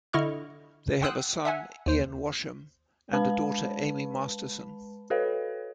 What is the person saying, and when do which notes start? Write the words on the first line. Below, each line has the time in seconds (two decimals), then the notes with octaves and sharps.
They have a son, Ian Washam, and a daughter, Amy Masterson.
0.13 D3 E4 D#5 C#6 F6
1.01 F#5 G5 C6 D#6 E6 F#6
1.45 E5 F#5 G#5
1.86 D#2 C5
3.13 G#3 B4 A5 B5
5.10 F#4 A4 B4 C#5 F5